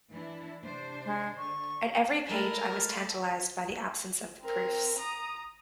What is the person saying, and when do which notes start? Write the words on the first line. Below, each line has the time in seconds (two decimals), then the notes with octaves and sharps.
At every page I was tantalised by the absence of the proofs.
0.12 E3 D4 E4
0.63 C3 D4 C5
1.05 G#3
1.38 D3 C#6
2.29 G#3 A3 E4 A#4 A5
4.42 C4 A#4
4.98 A#5 D#6